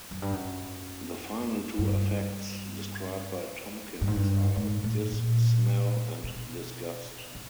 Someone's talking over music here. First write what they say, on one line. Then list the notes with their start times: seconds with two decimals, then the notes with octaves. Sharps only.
The final two affects described by Tomkins are "dissmell" and disgust.
0.11 F#2
0.22 G2
0.33 F#2
1.78 G2
4.01 G2
4.07 G#2
4.15 G2
4.56 G#2
4.84 A2
5.12 A#2
6.24 B2
7.34 C#3